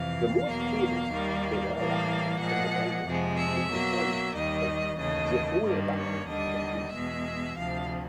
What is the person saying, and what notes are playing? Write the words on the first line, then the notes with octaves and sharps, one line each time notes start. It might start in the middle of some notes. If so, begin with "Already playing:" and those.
The most famous Benaiah in the Bible is the son of Jehoiada the priest.
Already playing: F2 C3 E3 F5
E2 B2 F#3 A#3
D#2 D#3 G3 A#3
A2 E3 G3 A#3 F5
A#2 F3 G#3 F#5
F2 C3 F3 G#3
E5
B2 F#3 A#3
D#2 D#3 G3 D#5
D#2 C#3 E3 A3 D#5
G2 D#3 G3 A#3
C#5
D#2 D3 G3 D#5
E2 B2 G#3 E5
D2 C3 F3 F5